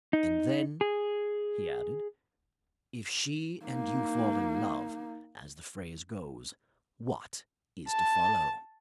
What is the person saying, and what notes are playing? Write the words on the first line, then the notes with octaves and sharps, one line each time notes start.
"And then," he added, "if she and you fall in love, as the phrase goes, what is to follow?"
D#4
G#4
A#3 D#4
A5